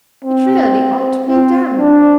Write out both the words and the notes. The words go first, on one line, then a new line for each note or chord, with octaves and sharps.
It really ought to be done.
C4
C4
D4